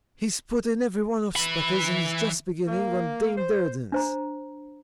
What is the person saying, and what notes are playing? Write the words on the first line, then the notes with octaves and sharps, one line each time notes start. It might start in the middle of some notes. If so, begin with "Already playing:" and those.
He's put in every one of Speckle's, and is just beginning on Dame Durden's.
E3 B5
A#3
C5
D4 C5 A#5